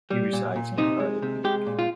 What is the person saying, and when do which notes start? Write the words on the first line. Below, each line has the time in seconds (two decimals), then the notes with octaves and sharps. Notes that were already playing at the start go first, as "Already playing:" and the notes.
He resides in Harderwijk.
0.10 G3
0.33 A#2
0.56 A#2
0.78 C3 D#4
1.00 G#3
1.22 C3
1.44 G#3 G4
1.67 A#2
1.79 F4